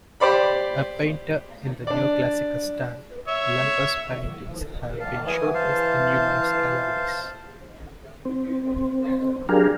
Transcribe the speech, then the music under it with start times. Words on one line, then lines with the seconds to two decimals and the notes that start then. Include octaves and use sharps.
A painter in the neoclassical style, Lemper's paintings have been showcased in numerous galleries.
0.20 G4 C5 D5 B5
1.87 D4 D5
3.28 C#5 E5
5.00 F5 A5
5.27 E3 G#5 D#6
5.54 C5 F5 A5
8.25 C4
9.49 F#3 D4 G4 G#4 A#4 F5